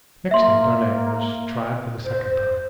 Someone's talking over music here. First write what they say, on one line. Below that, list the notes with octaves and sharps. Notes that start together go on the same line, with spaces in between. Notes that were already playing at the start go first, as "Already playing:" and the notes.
Next day Darnay was tried for the second time.
A#3 E5 C6
C5
C5